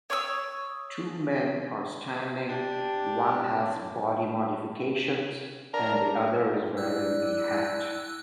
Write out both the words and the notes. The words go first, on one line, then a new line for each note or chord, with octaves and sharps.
Two men are standing one has body modifications and the other is wearing a hat.
C#5 C#6 D#6 E6
D4 G4
D4 A#4
E4 D5 E6 F#6